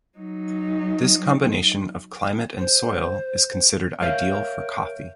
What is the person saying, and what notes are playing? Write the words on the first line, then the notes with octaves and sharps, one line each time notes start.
This combination of climate and soil is considered ideal for coffee.
F#3 D#4
C5
A#4 C#5 E5 F5 G6